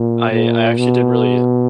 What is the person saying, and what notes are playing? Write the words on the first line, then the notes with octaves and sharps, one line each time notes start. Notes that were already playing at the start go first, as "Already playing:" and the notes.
I I actually did really
Already playing: A#2
A#2
B2